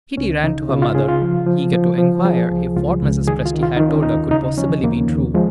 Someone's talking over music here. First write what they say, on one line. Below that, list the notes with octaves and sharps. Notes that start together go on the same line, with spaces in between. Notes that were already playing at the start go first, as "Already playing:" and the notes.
Kitty ran to her mother, eager to inquire if what Mrs. Presty had told her could possibly be true.
C#2 C#4
C#3 D#4
C#3 F4
F4
C#3 G#4
F4
F3
F3
F3
F3
F3 G#4
C#2
C#2 F4
C#2
D#3 G#4
F4
D#3
F4
D#3 D#4
C#4
D#2 D#4
C#3 D#4
D#4
F3 C#4
D#2 A#3
D#2
F3 G#3